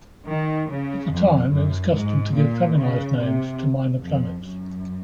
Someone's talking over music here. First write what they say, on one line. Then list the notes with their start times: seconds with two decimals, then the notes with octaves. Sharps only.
At the time, it was custom to give feminized names to minor planets.
0.27 D#3
0.69 C#3
1.10 F2
1.52 F#2
1.94 G#2
2.35 A#2
2.78 C#3
3.19 C3
4.02 F2
4.44 F#2